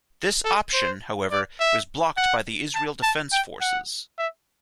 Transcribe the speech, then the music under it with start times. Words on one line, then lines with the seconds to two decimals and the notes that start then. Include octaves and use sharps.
This option, however, was blocked by the Israel Defense Forces.
0.45 A4
0.73 C5
1.31 D5
1.60 E5
2.17 F#5
2.75 A5
3.03 A5
3.32 G5
3.61 F#5
4.18 E5